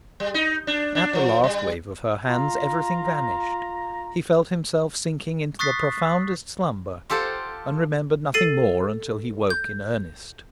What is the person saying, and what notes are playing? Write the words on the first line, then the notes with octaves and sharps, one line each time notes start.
At the last wave of her hands everything vanished, he felt himself sinking into the profoundest slumber, and remembered nothing more until he awoke in earnest.
G3
D#4
D4
D4
F3
G3
F4 A#5
C#6 D#6 F#6 A6 B6 C7
F4 G4 A4 C5 F#5
A4 A6 C7 D#7
G6